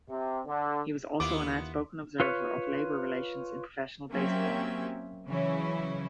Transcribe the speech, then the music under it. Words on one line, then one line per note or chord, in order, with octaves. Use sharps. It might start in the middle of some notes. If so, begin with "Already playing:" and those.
He was also an outspoken observer of labor relations in professional baseball.
C3
D3
D#2 B3 E4 F4 D6
F4 B4 C#5
F#3 A#3 C4 C#4 G4 E5
C#3 E3 F#3 C#4 E4